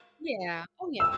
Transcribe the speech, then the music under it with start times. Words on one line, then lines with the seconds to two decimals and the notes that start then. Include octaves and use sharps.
Yeah. Oh yeah,
1.00 E6